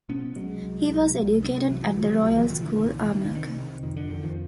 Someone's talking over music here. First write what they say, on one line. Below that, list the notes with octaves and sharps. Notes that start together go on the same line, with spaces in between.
He was educated at The Royal School, Armagh.
B2 B3 C#4
C2 F#3 G#3
C2
C2
C2
C3
C2 E3 F#3
E3 F#3
C2 D#3 F3
F3 G3
C2 F#3 G#3
E3 F#3
A#2 D#3 F3
D3 E3
C2 D#3
C2 E3
D#3
D3
C3
D#3
C3
F2 D#3
D3
F2 D#3
D#3 F3